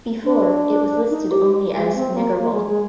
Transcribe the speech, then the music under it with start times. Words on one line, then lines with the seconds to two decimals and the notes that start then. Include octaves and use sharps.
Before it was listed only as "negerboll".
0.24 D4
1.10 D#4
1.31 G4
1.74 G#3
1.95 C4
2.16 A#3
2.38 A#3
2.52 G#3
2.67 G#3